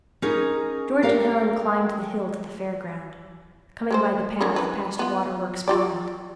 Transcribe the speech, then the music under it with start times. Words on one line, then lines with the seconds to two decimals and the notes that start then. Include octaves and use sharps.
George and Helen climbed the hill to the Fair Ground, coming by the path past Waterworks Pond.
0.22 C#4 D#4 G#4 A#4
1.03 G4 A4 A#4 F5 G5
3.91 G#3 A3 C5
4.41 D3 C#4 A#4
4.56 E3 A#4 B4
4.99 B3 F4
5.68 F4 G4 D5